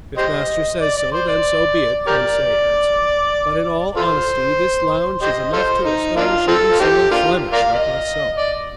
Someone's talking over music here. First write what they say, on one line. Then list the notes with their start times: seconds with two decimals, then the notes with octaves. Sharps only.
"If master says so, then so be it," Conseil answered. "But in all honesty, this lounge is enough to astonish even someone Flemish like myself."
0.18 G4 C5 D#5
0.81 D5
0.97 D5
1.12 C5
1.28 D5
2.07 G4 A#4 D5
3.96 F4 A4 C5
5.22 G4 C5 D#5
5.53 F4 A4 C5
5.85 D#4
6.17 A#3 D4 F4
6.48 C4 F4 A4
6.72 F4
6.80 C4 D#4 G4
7.11 A#3 D4 F4
7.53 A#4 D5 F5
7.74 D#5
8.37 D5